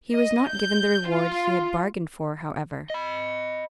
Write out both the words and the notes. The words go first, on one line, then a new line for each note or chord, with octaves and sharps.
He was not given the reward he had bargained for, however.
D#5
G6
F4
D#5 B5